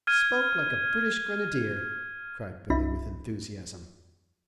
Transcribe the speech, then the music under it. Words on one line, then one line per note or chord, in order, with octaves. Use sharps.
"Spoke like a British Grenadier," cried Billy, with enthusiasm.
F6 G#6 D#7
C2 C#4 D#4 F4 E5 B5